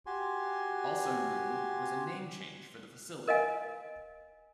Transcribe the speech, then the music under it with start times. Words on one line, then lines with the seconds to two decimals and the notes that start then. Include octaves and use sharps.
Also new was a name change for the facility.
0.06 F#4 G4 G#5 C6
3.28 A#4 D#5 F5 G#5